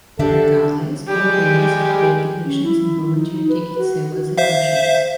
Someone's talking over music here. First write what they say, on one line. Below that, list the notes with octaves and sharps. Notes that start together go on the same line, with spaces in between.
Regardless, all venues have paid technicians and volunteer ticket sellers and ushers.
D3 D4 G4 A4 E5
G3 G#3 G4
C#4
E4
D#4
B4
F#4
C5 E5 F5